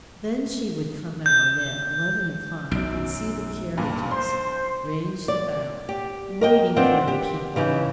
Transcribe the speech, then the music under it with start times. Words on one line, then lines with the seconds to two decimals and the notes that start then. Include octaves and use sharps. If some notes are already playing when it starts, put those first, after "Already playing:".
Then she would come out at eleven o'clock and see the carriages ranged about, waiting for the people.
1.26 G6
2.71 B1 F#2 D7
3.77 G2 A#2
4.11 C5 C6
5.28 D5
5.89 G4
6.41 A#4 D#5 G5
6.76 B3 C4 D4 F4
7.08 G4
7.56 C#3 E3 D#4